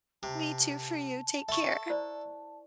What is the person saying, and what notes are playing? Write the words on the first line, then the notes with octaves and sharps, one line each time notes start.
Me, too, for you. Take care.
C3 A5
A4 E5 C#6
E4 C5 D5